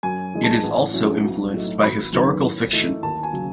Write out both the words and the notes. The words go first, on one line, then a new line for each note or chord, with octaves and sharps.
It is also influenced by historical fiction.
F#2 G#5
E3 G#3 D#4
A5
A1
A2 F#3 C#4 E4
B1
A2 F#3 A3 D#4
G#1 B5
F#2 D#3 F#3 B3
A2
E3 A3 D#4
D#2 A5
G#5
C#3 F#3